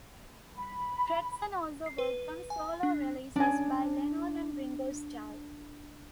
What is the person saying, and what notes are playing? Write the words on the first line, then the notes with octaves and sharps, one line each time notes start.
Preston also worked on solo releases by Lennon and Ringo Starr.
B5
C7
B4
G#5
D4
C#4 D4 G#5